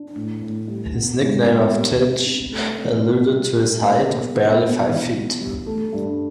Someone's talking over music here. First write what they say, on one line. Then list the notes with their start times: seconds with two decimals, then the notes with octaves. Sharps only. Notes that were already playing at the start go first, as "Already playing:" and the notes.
His nickname of Tich alluded to his height of barely five feet.
Already playing: D4
0.15 A2
0.42 A2
0.68 G3
0.94 B3
1.21 G#2
1.46 B3
1.74 G3
1.99 C3
2.26 C3
2.52 A3
2.78 C4
3.04 F4
3.31 G3
3.56 G3
3.83 A#3
4.09 B2
4.35 B3
4.61 B2
4.88 E3
5.14 B3
5.40 G3
5.66 A3
5.93 G2